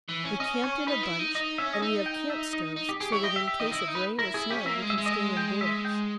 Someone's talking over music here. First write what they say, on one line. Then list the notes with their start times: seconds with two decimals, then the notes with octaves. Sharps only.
We camped in a bunch, and we have camp stoves so that in case of rain or snow we can stay indoors.
0.09 E3
0.24 C#4
0.40 C#4 D#5
0.64 C#5
0.87 D#4 B4
1.03 E4
1.19 D#4
1.35 D#4 D#5
1.58 C#4 E5
1.73 D#5
1.82 D#4 E5
2.06 G5
2.30 E5
2.53 D#5
2.76 D#4
2.89 G4
3.00 G4 G#4
3.12 E4 C#5
3.24 G4 D#5
3.36 E5
3.48 E5
3.59 D#4 D#5
3.71 E4 D#5
3.87 D#4
3.95 B4
4.19 E4 A#4
4.34 E4 G#4
4.50 C#4 G4
4.66 A#3 E5
4.82 G#3
4.90 E5
4.98 G#3
5.06 D#5
5.13 E5
5.37 G5
5.61 E5
5.85 G5